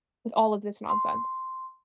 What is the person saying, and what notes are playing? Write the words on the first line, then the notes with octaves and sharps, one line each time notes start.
with all of this nonsense,
C6